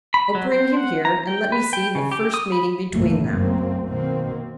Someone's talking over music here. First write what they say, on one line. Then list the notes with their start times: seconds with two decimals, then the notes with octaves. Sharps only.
"Oh, bring him here and let me see the first meeting between them."
0.14 B5
0.35 F#3
0.52 C5
0.77 F#5
1.05 A#5
1.27 G5
1.52 B4
1.73 G5
1.95 C#3
2.12 G4
2.34 D#6
2.52 B5
2.92 F#1 B1 G#2 E3 A3 A#3
3.27 F#2 A3 A#3 C4
3.88 B2 D#3 A#3 C4